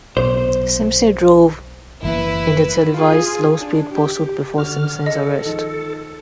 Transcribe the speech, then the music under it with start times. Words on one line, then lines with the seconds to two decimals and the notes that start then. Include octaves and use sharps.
Simpson drove in their televised low-speed pursuit before Simpson's arrest.
0.17 B1 B2 C5
2.03 F#1 E3 A#3 E4 B4
2.93 F4 G#4
3.57 D4
3.93 G4
4.58 D3 F#4 F6
5.06 A4 D#5
5.45 D#3 F3 G#3